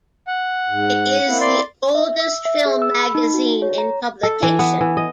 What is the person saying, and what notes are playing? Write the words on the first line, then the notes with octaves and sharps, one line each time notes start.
It is the oldest film magazine in publication.
F#5
G#2
A#3 C4 E4
D5 C6
E5
E6
E5
G#4
E6
B5
D#4
F#4
C#5
A#5
A4
E3
B3
E3
D#5